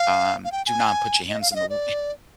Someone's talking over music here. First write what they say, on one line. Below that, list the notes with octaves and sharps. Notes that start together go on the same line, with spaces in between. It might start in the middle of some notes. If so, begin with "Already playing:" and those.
Um, do not put your hands in the wa
Already playing: F5
F5
G5
G#5
D#5
F5
F5
D#5
D5